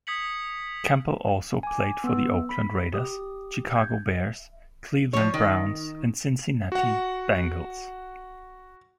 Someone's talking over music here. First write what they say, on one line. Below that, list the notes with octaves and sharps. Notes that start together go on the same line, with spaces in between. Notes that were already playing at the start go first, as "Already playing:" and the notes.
Campbell also played for the Oakland Raiders, Chicago Bears, Cleveland Browns, and Cincinnati Bengals.
D#6 G#6 B6 C#7 F#7
G#5 D6
B3 E6
B5 B6
G4 D#6
G6 G#6
F3 C#5
D#3
F#4 F#5